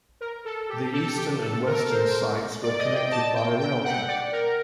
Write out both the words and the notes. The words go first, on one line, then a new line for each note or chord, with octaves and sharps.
The eastern and western sites were connected by a rail track.
A#4
A4
G4
G4
A4
G4
A4
A#4
C5
D5
D#5
G5
A5
G5
G5
F#5
D5
A#4